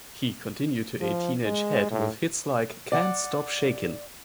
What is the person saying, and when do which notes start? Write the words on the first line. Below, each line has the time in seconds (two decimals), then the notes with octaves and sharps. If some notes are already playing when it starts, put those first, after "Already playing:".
He continued to aid Teenage Head with hits like "Can't Stop Shakin'".
1.01 F3
1.45 G#3
1.91 A2
2.92 D5 F#5